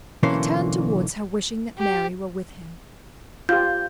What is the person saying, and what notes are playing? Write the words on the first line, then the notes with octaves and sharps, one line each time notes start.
He turned towards her, wishing that Mary were with him.
B1 D3 E3 A#3 C#4 C5
G4
F4 G4 G6